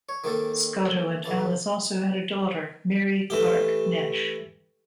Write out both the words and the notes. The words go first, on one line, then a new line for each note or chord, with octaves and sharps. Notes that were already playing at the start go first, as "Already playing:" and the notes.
Scotto and Alice also had a daughter, Mary Clark Nash.
C#5
D#3 G#3 A#3 C4 A4
B1 E3 A5
E3 A3 G4